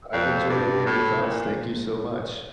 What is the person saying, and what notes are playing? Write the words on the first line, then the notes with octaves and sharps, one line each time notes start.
I've enjoyed hearing your thoughts. Thank you so much.
F2
G2
A2
A#2